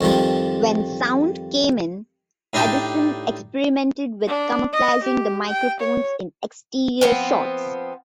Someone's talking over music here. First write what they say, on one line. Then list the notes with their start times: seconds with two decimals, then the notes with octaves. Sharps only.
When sound came in, Edeson experimented with camouflaging the microphones in exterior shots.
0.01 F2 D#3 F3 G3
2.53 A2 D4 D#4 G4 A5
4.27 D4
4.73 D#5
5.03 G4
5.47 G5
5.80 C#5
7.01 F3 B3 C4